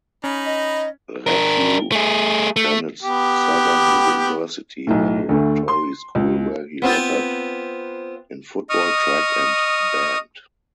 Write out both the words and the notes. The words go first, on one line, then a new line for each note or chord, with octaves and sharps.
Raphew attended Southern University Laboratory School where he lettered in Football, Track and Band.
C#4 D#4 B5
D#5
D4 A#4
A3 G#4
A3
B3 G4
B1 A2
D2 D3 A3
C6
C#2
B3 C4 F4
D#5 C#6 D#6 F6